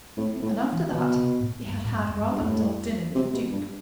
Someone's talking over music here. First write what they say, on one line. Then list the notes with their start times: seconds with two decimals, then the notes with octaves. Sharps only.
And after that he had had rather a dull dinner with the duke.
0.17 A2 C4
0.36 C4
0.42 A2
0.54 B3
0.73 E3
0.91 B2 D3
1.16 C3
1.40 A2
1.66 G2
1.84 A2
1.91 G2
2.08 F2
2.15 G2
2.31 G2
2.40 F2 A2
3.15 C3
3.34 B2
3.52 G2